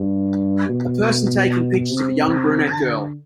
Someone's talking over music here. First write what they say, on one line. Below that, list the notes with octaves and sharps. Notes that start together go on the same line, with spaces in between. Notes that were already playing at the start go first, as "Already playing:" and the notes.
A person taking pictures of a young brunette girl.
Already playing: G2
B2
C3
D3